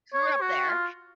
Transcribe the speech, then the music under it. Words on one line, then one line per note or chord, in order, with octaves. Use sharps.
grew up there,
C#5
F#4
F4